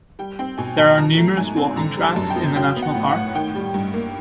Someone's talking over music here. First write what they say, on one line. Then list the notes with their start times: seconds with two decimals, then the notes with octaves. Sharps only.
There are numerous walking tracks in the national park.
0.19 G3 G5
0.39 C4 G5
0.58 B2 G#5
0.78 B2 A5
0.97 F3 A#5
1.17 A3
1.37 G#2 G#5
1.57 C4
1.76 D3 A#5
1.97 G3
2.03 A5
2.16 F#2
2.30 G5
2.36 B3
2.56 F#3 G5
2.76 B3
2.82 F#5
2.95 A2
3.09 F#5
3.15 A2
3.35 D#3 G5
3.55 G3
3.74 G2
3.94 A#3